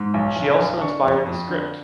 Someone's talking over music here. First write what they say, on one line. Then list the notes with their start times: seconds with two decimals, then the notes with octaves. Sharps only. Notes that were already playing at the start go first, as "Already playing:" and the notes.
She also inspired the script.
Already playing: G#2
0.14 B1
0.36 B1
0.59 B1
0.80 D4 C#6
1.03 F2
1.26 F2
1.48 D3